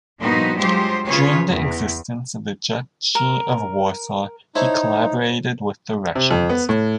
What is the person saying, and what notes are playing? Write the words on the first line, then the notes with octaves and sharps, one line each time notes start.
During the existence of the Duchy of Warsaw he collaborated with the Russians.
G2 A#2 F3 B3 D#4 F#4
F#3 G#3 F4 G4 C5
C#3 F4 G#4 B4 C#5
E2
A#4
D#4 E4 A4 C5 C#5
C3
F2
B3
A2